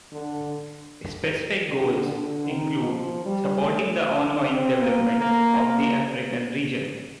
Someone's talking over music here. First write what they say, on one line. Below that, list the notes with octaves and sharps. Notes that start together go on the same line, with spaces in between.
Specific goals include supporting the ongoing development of the African Region.
D3
D3
D3
D#3
F3
G3
A3
C4
A#3
A#3
A#3